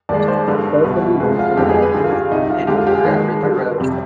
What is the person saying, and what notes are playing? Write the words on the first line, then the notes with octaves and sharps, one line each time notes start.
Both can be reached in about two and a quarter hours by road.
D#2 D#3 G#3 D5
C5
G2 D3 G#3 B4
C2 B2 G3 B4
D2 C3 F3 G#3 B4
F4
F2 D3 F3 G#3 G4
G#4
B4
G2 D3 G3 G#4
F4
G4
C2 C3 G3 D#4
F4
D2 D3 G#3 G4
F4
G4
G#4
D#2 D#3 G#3 B4
G2 D3 G3
F2 C3 G3